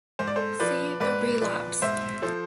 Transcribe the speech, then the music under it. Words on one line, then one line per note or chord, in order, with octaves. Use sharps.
See "The Relapse".
G#2 C5
D5
A4 C5
F3 B4 D5
G#2 B4 D5
F3 B4 D5
G#2 C5 E5
F3 A4 C5